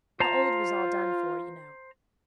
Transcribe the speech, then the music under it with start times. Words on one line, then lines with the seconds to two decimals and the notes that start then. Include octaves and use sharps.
The old was all done for, you know.'
0.20 F4 C5 A5 A#5